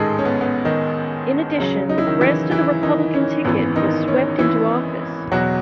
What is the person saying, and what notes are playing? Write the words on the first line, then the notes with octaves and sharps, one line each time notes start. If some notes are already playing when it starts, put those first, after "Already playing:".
In addition, the rest of the Republican ticket was swept into office.
Already playing: A1 G#2 D#3 G#3 G#4 A4
C#4
B3
B3
D#3 D#4
C#2 C#3 F#3
D#4
E4
D#3 D#4
E3 E4
E3 E4
D#3 D#4
C#4
G#1 F#2 E3 B3
D#3 D#4
C#4
E3 E4
E2 B2 F#3 F#4